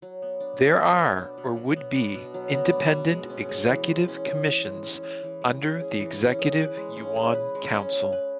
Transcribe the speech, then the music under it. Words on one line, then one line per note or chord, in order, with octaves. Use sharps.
There are, or would be, independent executive commissions under the Executive Yuan Council.
F#3
B3
D4
B2
F#3
B3
D4
B2
F#3
B3
D4
B2
F#3
B3
D4
B2
G#3
C#4
G#4
E3
G#3
C#4
G#4
E3
G#3
C#4
G#4
E3
G#3
C#4
G#4
E3
C#4
G#4
B4
G#3
C#4
G#4
B4
G#3
C#4
G#4
B4